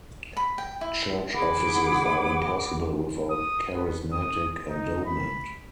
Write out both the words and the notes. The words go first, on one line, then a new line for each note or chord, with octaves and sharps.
Church offices are impossible without charismatic endowment.
B5
G5
E4
G#4 F#5 B5 D6
D#6
B3
D#6
D#4
B5